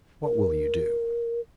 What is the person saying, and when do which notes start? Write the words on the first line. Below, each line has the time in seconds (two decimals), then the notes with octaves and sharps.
"What will you do?"
0.24 A#4